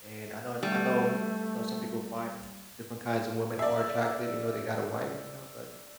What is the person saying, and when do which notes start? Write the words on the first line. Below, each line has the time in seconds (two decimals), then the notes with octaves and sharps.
And I known and I know he you know, some people find different kinds of women more attractive even though they got a wife, you know? But,
0.63 G3 A3
3.59 D5 E5